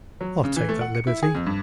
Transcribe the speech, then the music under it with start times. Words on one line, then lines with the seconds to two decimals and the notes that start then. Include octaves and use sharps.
"I'll take that liberty."
0.21 F#3
0.44 C#3
0.56 E3
0.69 A3
0.81 F#5
0.95 C#7
1.07 E4
1.23 G#4
1.35 F2
1.46 G2